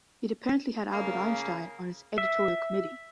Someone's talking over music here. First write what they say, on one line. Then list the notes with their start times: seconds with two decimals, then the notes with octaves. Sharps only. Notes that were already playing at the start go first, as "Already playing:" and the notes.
It apparently had Albert Einstein on its editorial committee.
0.93 C#3 A#3
2.18 E5